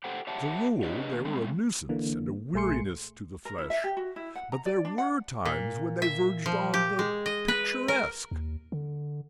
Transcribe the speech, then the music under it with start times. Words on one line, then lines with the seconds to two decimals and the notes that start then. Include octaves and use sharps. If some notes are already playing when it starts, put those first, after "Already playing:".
As a rule they were a nuisance and a weariness to the flesh, but there were times when they verged on the picturesque.
0.04 G4 A4 C5 F#5 G5
0.27 G4 C#5 E5 F#5 A5
0.83 D4 G4 G#4 B4 C#5 D#5
1.12 D3 D#3 A#3
1.24 G3 G#3 C4
1.89 D3 E3 A#3
2.54 A#1 A3 G#4 C6 C#7
3.45 A#4
3.58 E4
3.70 E5
3.84 G4
3.97 F#4
4.16 E4
4.35 F#5
4.52 A#5
4.66 D5
4.85 D4
4.98 F#5
5.45 A#2
6.02 E5
6.46 F3
6.74 G4
6.99 G#3
7.26 D#5
7.48 B4
7.88 A#4
8.31 D#2
8.72 D3